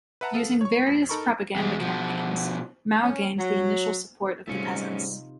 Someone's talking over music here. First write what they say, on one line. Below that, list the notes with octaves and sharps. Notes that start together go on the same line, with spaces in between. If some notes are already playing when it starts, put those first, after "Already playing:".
Using various propaganda campaigns, Mao gained the initial support of the peasants.
B4 E5 F#5 A5 A#5
B3 A4 F5
C#5 C#6
F2
D#4 A4 A#4 B5 C#6
E2 G#3
B2 F3
C#4
F#3
G#2 C3 G3 A3 C#4 D#4 F4